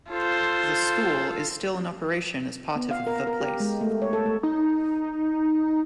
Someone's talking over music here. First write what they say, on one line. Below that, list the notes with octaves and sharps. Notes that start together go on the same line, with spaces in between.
The School is still in operation as part of The Place.
F4 A4 C5
B3
F5
A#4
A#4
G4
G#3
A3
C#5
A4
A3
D#4